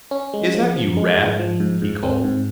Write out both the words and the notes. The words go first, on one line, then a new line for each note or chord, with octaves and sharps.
"Is that you, Rad?" he called.
C#4
G#3
F3
F3
G#3
G#2
F3
G#2
G#2
C4
G#2